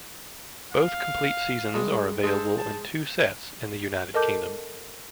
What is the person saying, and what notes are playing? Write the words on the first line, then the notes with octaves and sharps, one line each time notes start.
Both complete seasons are available in two sets in the United Kingdom.
F5
G2 G#3
G#3 A4 C5
A5
A4 A#4 D#5 A5 D6 G6